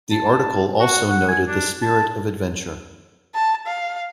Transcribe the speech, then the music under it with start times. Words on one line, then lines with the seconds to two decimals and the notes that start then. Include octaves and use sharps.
The article also noted the spirit of adventure.
0.11 A5
0.80 F#4
1.08 F#5
1.28 G#5
1.48 D4
1.82 A5
3.35 A5
3.67 F5